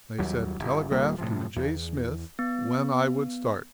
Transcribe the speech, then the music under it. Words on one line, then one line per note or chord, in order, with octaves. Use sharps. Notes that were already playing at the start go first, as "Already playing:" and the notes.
They said telegraph to J. Smith when I would start.
D#2 F#3 G3
G1
D#1 G3 A#3
A2 C3 F3
E2
B3